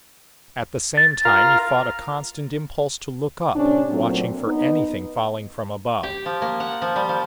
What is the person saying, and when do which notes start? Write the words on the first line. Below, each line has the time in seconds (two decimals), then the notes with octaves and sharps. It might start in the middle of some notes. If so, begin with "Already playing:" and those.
At the same time he fought a constant impulse to look up, watching for anything falling from above.
0.97 A6
1.25 F4 A#4 F5
3.55 A2 C3 C#4 D4
3.89 A#2 F#3 A3 C4
4.46 B3 D#4
6.03 G4
6.26 F3
6.42 A#3
6.60 F#5
6.82 F3
6.96 G3
7.09 F3